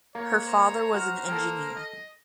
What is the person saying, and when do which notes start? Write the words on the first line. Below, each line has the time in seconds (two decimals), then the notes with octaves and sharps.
Her father was an engineer.
0.15 A#3 C#5
0.47 C5 A#5
0.94 F#4 F6
1.29 A#3 A4 G5
1.75 D#5